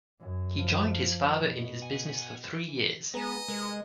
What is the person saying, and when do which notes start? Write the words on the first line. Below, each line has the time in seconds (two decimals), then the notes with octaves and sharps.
He joined his father in his business for three years.
0.20 F#2
0.59 F3
1.40 B2
1.82 F#5 G#5
2.69 E3
3.14 G#3 B3 G#4 B4 D#5 G#5 A#5
3.48 C3 G#3 A#4